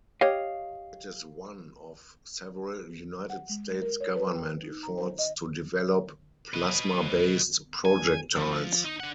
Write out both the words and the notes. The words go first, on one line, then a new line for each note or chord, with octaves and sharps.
It is one of several United States Government efforts to develop plasma-based projectiles.
G4 C#5 D#5 F5
F#5
G#3
A#4
C#5
B4
G5
D#4
A#5
C5
D#5
B4 D#5
G#5
F3
D#4
D4 F#5